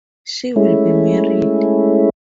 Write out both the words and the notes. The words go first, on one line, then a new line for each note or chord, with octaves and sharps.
She will be married!
G#3 A3 C#4 E4